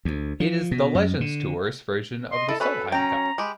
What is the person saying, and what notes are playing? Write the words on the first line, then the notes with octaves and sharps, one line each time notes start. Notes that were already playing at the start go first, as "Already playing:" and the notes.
It is The Legends Tour's version of the Solheim Cup.
D2
F3
B2
F#2
D3
D#5 C6
E4 A4
C#4 F#4 A4 B4 B5
F#3 C#4 G5 A#5
G#3 G4 B5